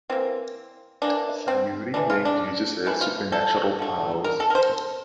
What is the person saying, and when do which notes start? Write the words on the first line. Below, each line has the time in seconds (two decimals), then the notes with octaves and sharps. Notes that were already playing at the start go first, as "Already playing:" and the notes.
Sayuri then uses her supernatural powers.
0.09 E3 A#3 C4
1.02 E3 A#3 D4
1.48 C4
1.94 C3 E3 A3 D4
2.10 F4
2.25 D4
2.86 C3 E3 A3 E4
3.01 F4
3.32 A4
3.79 D3 A3
4.24 A#4
4.40 A4
4.50 A#4
4.55 C5